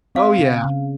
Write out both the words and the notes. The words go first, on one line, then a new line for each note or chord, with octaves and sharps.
Oh, yeah,
C4 F5
C#3
C#3